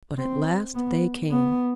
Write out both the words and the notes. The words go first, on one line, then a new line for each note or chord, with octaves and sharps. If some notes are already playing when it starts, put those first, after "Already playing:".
But at last they came.
C4
B3
B3